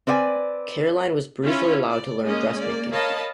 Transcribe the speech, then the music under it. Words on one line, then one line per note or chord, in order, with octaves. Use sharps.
Caroline was briefly allowed to learn dress-making.
C4 B4 D5 D#5 G#5
C#4 E4 F4 C#5
D5
G#3 A#3 C#4 D#5
A#3 D5
A#4 C#5 D#5 F5 A5 B5